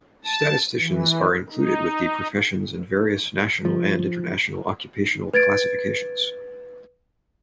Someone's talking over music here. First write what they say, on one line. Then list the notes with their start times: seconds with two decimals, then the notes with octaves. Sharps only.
Statisticians are included with the professions in various national and international occupational classifications.
0.25 A5
0.78 E3
1.52 D#4
3.65 F3
5.34 B4 G#6 A6 D7